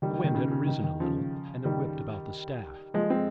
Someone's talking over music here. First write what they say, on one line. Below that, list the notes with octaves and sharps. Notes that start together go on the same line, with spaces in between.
The wind had risen a little, and it whipped about the staff.
D#3 G3
D#3
D#3
C#3
C#3
D#3
D#3
C#3 F3
D#3 G3
F3 G#3
G#3 C4